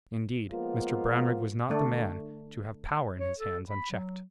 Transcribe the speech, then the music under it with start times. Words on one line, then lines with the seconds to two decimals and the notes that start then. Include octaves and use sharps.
Indeed, Mr Brownrigg was not the man to have power in his hands unchecked.
0.52 F3 G#3 A#3 B3 F4
1.69 D3 A3 D4
3.20 C#5
3.38 A4
3.69 B5
3.91 F#3